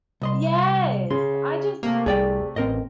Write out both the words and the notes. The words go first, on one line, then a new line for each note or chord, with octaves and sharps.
Yes! I just
C2 D#5 C6
C#3 C6
C3 A3 A#3
C2 G#4 D5 G5
A1 C4 A#4 D#5